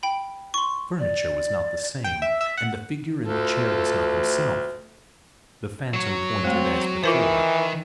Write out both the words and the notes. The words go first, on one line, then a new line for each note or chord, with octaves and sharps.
The furniture was not the same, and the figure in the chair was not himself. The Phantom pointed as before.
G5 B5
C6 C#6
D5
G5
E5
E5
F#5
D2 F4 A4
F#3 C#5
G#3 A3 C4
D#3 E3 F4 A#4 C5